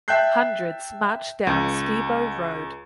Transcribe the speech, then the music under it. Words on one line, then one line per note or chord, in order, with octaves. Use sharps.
Hundreds marched down Skibo Road.
E5 G5 A5 F#6 G6 C7
C#2